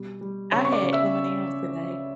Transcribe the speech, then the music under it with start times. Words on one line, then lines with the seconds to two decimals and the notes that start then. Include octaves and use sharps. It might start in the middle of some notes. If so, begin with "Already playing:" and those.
I had M&M's today.
Already playing: B2 G3
0.21 G3
0.52 C#3 C#5 C#6
0.65 C#6
0.72 D5 D6
0.83 C#3
0.93 E5 E6